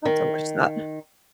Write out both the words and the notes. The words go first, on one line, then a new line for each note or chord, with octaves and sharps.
I'll have to watch that.
D#3